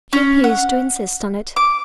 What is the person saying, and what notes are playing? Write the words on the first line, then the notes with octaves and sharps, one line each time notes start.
"She appears to insist on it."
C#4
F#5
D6